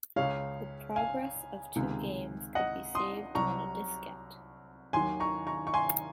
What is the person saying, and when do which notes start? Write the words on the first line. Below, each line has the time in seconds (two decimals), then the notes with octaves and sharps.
The progress of two games could be saved on a diskette.
0.16 C#2 C#3 G#3 C#5 F5
0.96 F5 G#5
1.76 C#2 C3 D#3 G#3
2.55 D#5 F#5
2.95 C6 D#6
3.35 C2 C3 F#3 A#5 C#6
4.93 D#2 D#3 F#3 G#5 C6
5.20 A#5 C#6
5.47 A#5 C#6
5.67 C#6
5.74 G#5 C6